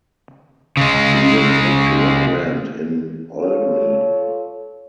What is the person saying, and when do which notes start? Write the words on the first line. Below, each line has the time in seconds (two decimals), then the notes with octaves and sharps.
He lived at Rockland in Olney.
0.77 C#3 G#3
3.38 F4 A4 C#5